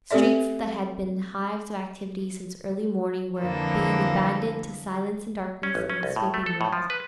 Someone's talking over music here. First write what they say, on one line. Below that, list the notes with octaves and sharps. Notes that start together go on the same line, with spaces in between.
Streets that had been hives of activity since early morning were being abandoned to silence and darkness and the sweeping wind.
A3 C4 G4 A4 D5 E5
F2 D3 E3 A#3 A4
C#4
A1
C#4
C2
A2
A3
A4
A2
F3
B4